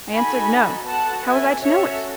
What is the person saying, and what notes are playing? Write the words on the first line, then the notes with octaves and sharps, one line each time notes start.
I answered, No; how was I to know it?
D#4 F#4 A4 G#5 B5
B3 F#4 A4 F#5 A5
E5 G#5
C#4 F#4 A4 C#5 E5